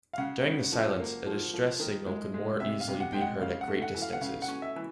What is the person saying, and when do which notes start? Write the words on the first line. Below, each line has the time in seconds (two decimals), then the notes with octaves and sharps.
During the silence, a distress signal could more easily be heard at great distances.
0.13 F5
0.18 C#3 F#5
0.45 C#3
0.72 F3
1.00 A#3
1.26 F3
1.53 F3
1.79 D#3
2.07 G#3
2.34 G#3
2.60 C3 E5
2.81 F5
2.88 C3
3.00 F#5
3.13 G#3 G5
3.21 F#5
3.41 C#3 F5
3.61 F#5
3.68 A3
3.82 F#5
3.94 E3
4.02 F5
4.13 F#5
4.21 C#3 F5
4.42 F#5
4.48 C#4
4.62 E5
4.76 E3